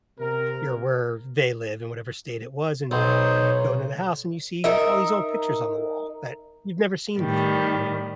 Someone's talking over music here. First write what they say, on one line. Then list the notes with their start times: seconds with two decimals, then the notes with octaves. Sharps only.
you're where they live, and whatever state it was, and you go into the house, and you see all these old pictures on the wall that you've never seen before,
0.19 C3 A#4
2.91 B1 D#4 C5 C#5
4.64 D#4 A#4 E5
7.18 A2 D#3 G3